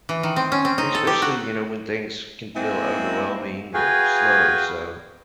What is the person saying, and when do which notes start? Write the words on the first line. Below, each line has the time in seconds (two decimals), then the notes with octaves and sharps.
especially, you know, when things can feel overwhelming, or, slow, so.
0.09 E3
0.23 D#3
0.36 C4
0.52 C#4
0.65 C4
0.78 D#4
0.95 A4
1.07 G4
1.22 F#4
2.55 G#3 A#3 C4 E4
3.74 F#4 G#4 B4 F5 G5 G#5